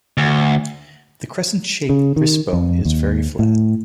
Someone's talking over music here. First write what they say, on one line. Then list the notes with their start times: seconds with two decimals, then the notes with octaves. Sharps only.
The crescent-shaped wrist bone is very flat.
0.17 D2
1.89 C#3
2.16 D#3
2.53 F2
2.85 D#2
3.39 A2